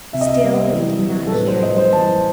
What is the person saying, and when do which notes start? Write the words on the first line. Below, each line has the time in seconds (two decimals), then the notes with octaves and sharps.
Still they did not hear anything.
0.13 C3 E5
0.21 D#5
0.29 E5
0.44 G3
0.73 E3
1.03 C3
1.27 A4
1.32 A2 B4
1.47 C5
1.62 G3 D#5
1.77 C5
1.92 E3 A5